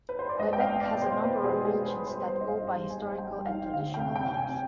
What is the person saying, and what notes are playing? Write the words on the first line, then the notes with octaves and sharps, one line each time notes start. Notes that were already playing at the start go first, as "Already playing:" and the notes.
Quebec has a number of regions that go by historical and traditional names.
B4
C5
D5
G#3 D#5
G5
F5
B3
D5
B2
C5
B2 B4
G#4
G#3
G#4
B2
B4
G3 C5
C5
G#2
D#5
F5
G3
G3 G#5
G3 G5
D#4 F5
D2 F5
G5
C3
G5
C3
G#5